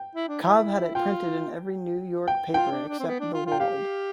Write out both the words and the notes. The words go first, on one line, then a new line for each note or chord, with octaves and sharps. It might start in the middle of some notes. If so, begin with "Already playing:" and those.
Cobb had it printed in every New York paper-except the "World".
Already playing: G5
E4
D4
E4
F4 G5
G5
F4 G5
D4
D4
C4
B3
D4
F4
F4
G5
G4 F5